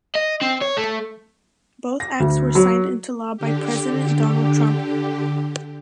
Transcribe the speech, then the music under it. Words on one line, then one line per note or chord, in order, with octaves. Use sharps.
Both acts were signed into law by President Donald Trump.
D#5
C4
C#5
A3
A#6
D2
F#3
D3 G4